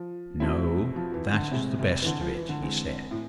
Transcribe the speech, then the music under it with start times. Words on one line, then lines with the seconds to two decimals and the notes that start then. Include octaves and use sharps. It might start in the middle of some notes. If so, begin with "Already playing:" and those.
"No--that is the best of it," he said.
Already playing: F3
0.40 B2 A3 C4 E4
0.96 F3
1.14 E3
1.33 D3
1.51 A2 C3 G#3 C4 E4
1.79 C3
2.02 E3
2.06 D3
2.21 F3
2.34 E3
2.49 D3
2.62 E3 G#3 C4
3.11 A2